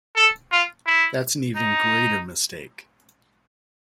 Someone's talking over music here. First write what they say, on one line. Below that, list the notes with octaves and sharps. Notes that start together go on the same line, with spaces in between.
That’s an even greater mistake.
A4
F4
E4
D#4